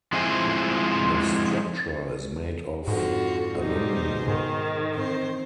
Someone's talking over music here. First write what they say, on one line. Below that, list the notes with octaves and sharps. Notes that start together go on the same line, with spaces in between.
The structure is made of aluminum.
F3 G#3 C4 E4 C5 G#5
F2 G#2 D3 F4 F#4
B2 G3 D#4 G#4 C5
G#2 D#3
E3 C4 C5